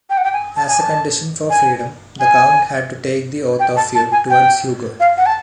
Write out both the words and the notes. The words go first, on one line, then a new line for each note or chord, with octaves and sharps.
As a condition for freedom, the count had to take the oath of feud towards Hugo.
G5
F#5
G5
G#5
A5
G#5
A5
G#5
G#5
G5
A5
A5
G#5
G5
F5
F#5
A5